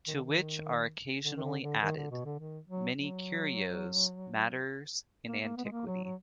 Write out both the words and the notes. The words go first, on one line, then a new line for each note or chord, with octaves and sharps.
To which are occasionally added, many curios matters in antiquity.
D#3
D3
D#3
D3
D#3
D3
D3
D#3
D3
B2
D3
D#3
F#3
F#3
A#3
A#3
B3
G#3
A#3
F#3
F#3